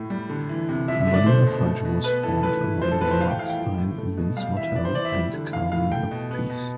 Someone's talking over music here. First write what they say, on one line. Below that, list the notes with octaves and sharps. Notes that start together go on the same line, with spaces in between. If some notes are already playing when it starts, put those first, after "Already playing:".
Vanilla Fudge was formed along with Mark Stein, Vince Martell, and Carmine Appice.
Already playing: A2
G3
D3
E3
C3
F3 E5
E5
D3
D5
A3 C5
B2
A3
B2
B3 B4
E3 A4
A3 B4
E3
F3 C5
A4
A2 B4
C5
A3 F5
G5
E3 F5
G5
F3
A2
A3
B2
G3 F5
E3 E5
B3 D5
C5
E3 D5
E5
G3
D3
E3 F5
A2 F5
A3 G5
B2
B3
B2